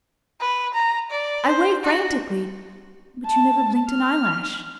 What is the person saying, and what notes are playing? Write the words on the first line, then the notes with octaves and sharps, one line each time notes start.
I waved frantically, but you never blinked an eyelash.
B4
A#5
D5
C5
F#4
A5
F6